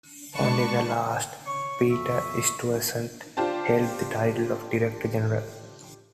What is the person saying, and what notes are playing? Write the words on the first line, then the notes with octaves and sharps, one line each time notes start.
Only the last, Peter Stuyvesant, held the title of Director General.
G#3 D4 B4 A5 C#6
C#5 C#6
F2 E5 C#6
D4 F4 G4 C5 A5